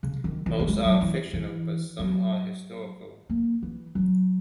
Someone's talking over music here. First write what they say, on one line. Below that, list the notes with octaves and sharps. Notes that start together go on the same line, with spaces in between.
Most are fictional but some are historical.
C#3
D#3
E3
A#3
G#3
F#3
E3
E3
F#3
A#3
E3
F#3